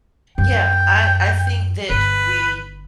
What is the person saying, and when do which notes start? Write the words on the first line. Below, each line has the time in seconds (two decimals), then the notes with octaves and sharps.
Yeah, I I think that we
0.38 F#2 G5
1.90 G1 B4